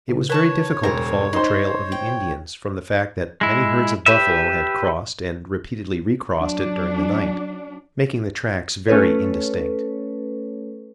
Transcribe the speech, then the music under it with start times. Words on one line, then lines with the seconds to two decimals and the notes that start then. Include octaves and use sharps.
It was very difficult to follow the trail of the Indians from the fact that many herds of buffalo had crossed and repeatedly recrossed it during the night, making the tracks very indistinct.
0.09 C#3
0.30 A#4 B4 C#5 A5 C#6
0.83 E1 A#4 C5 A#5
1.33 D#4 C5 C6
1.92 G5
3.41 G#3 E4
4.06 G4 B4 E5
6.36 F#3 D4
8.88 A3 C#4 A4 B4 C#5